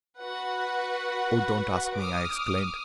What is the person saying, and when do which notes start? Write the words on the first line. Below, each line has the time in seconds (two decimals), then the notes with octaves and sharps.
"Oh, don't ask me!" I exclaimed.
0.19 F#4 B4 F#5
1.96 D6 D#6 F6